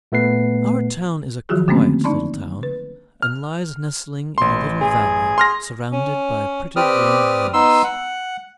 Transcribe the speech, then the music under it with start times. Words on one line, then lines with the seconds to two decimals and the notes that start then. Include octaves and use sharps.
Our town is a quiet little town, and lies nestling in a little valley surrounded by pretty green hills.
0.12 A#2 A3 B3 B4 C7
1.49 D#3 F3 F#3 F4 F#4 G#4
1.68 D3 A3 A#3 C4 C#4
2.04 D4 D#4 D5 A5 B5 C6
2.63 B4
3.22 F6
4.38 A1 C6
4.81 G#4
5.38 C6 F6 A#6
5.92 C#4
6.76 C4 G4 B4 D5 D#6 F6
7.53 B3 D#4 C6 E6
7.84 F#5